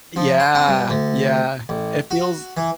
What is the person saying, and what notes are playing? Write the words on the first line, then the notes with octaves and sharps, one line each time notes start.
Yeah, yeah, it feels
F3
C5
C4
G2
D2
A1
F#4
E3